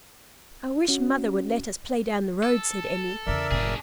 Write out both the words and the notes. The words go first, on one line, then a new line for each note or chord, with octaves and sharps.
"I wish mother would let us play down the road," said Emmy.
C#4 F#4
A4
E2 C#3 A#4 D5 E5
F#1 A2 D4 G#4